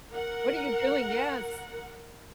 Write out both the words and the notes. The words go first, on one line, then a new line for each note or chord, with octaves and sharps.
What are you doing? Yes.
A#4 F#5